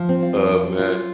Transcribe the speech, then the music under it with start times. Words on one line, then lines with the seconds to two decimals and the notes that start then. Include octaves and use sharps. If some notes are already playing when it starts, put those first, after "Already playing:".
Oh, man.
Already playing: F3
0.09 C4
0.22 F4
0.36 F2
0.51 F3
0.64 C4
0.79 F4